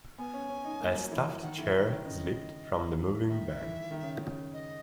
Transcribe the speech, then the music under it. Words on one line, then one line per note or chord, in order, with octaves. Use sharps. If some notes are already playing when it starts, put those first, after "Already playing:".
A stuffed chair slipped from the moving van.
B3 G#5
C#4
C#4
D#4
A#3
F#3
E3
D#3 F#5
E3
E5
D#3
C#5
D#3
C#3 D#5
D#3 E5
E3
D#3
C#3
C#3
D#5